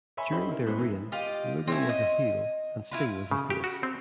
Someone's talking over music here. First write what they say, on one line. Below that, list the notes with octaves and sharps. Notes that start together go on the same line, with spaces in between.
During their reign, Luger was a heel and Sting was a face.
C#5 E5 G#5 B5 C6
C#4 D#4 G4 A4 C5 B5
E4 A#4
G#2 B3 C5 F#6
C3 E3 A#3
F4 G4 D#5
C4 C#4 E4
D#5
E4 F4 B4
C#3
G4
F#4
C4